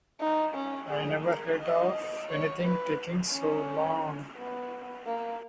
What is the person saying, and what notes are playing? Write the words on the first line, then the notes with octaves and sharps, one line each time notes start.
I never heard of anything taking so long.
D#4
C#4
G#4
A#4
D#5
C#5
B4
C#4
B3
A#3